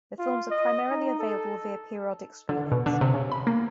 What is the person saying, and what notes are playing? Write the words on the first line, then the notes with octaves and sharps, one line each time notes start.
The films are primarily available via periodic screenings.
F4
D#5
D#4
A4
D3
B2
D3
C3
C#3
B5
A#3